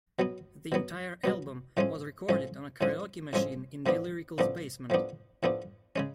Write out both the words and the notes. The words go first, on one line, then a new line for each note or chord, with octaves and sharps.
The entire album was recorded on a karaoke machine in D-Lyrical's basement.
B2 F#3 B3
B2 F#3 B3
B2 F#3 B3
A2 F3 G#3 C#4
A2 F3 G#3 C#4
A2 F3 G#3 C#4
A2 F3 G#3 C#4
A2 F3 B3 D4
A2 F3 B3 D4
A2 F3 B3 D4
A2 F3 B3 D4
C#3 G#3 C#4